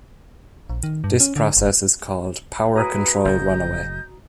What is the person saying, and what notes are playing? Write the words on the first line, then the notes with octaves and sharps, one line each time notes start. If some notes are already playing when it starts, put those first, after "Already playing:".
This process is called "power control runaway".
A#1
D#3
G2
C#4
D3
F#1
E4 F#4 G#4 B4 A#5 D#6
F#1 A2 D#5 G6